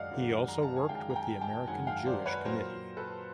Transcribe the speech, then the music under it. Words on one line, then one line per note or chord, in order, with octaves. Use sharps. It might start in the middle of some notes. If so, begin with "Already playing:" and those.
He also worked with the American Jewish Committee.
Already playing: F#2 D#3 G#3 D5 D#5 F5 F#5
F#2 D#3 G#3
A#5
A5
G#5
F#2 D#3 G#3 F5 G5
A#5
G5 A5
G5 A5
F#2 D#3 G#3 F#5 G#5
F5 G5
C5 D5
B4 C#5
A#2 F#3 A#3 A#4 C5
A4 B4